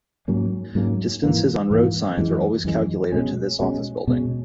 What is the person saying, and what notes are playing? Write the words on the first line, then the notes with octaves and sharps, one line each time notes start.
Distances on road signs are always calculated to this office building.
G#2 F#3 A#3 C#4
G#2 F#3 A#3 C#4
G#2 E3 A#3
G#2 E3 A#3
F#2 E3 G#3
F#2 E3 G#3
B2 G#3 C#4
B2 G#3 C#4
B2 G#3 C#4